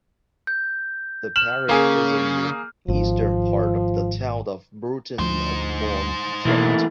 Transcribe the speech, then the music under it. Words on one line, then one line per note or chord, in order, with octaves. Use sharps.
The parish is in the eastern part of the town of Burton upon Trent.
G6
F6 E7 F#7
C#3 A#3 G#4
G#1 F3
D2 F3 D#4 C5
B2 E3 A3 A#3